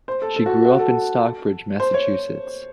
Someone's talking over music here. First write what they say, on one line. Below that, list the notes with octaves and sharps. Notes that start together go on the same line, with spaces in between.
She grew up in Stockbridge, Massachusetts.
C5
A4
A4
F#4
A4
F#4
A4
C5
C#5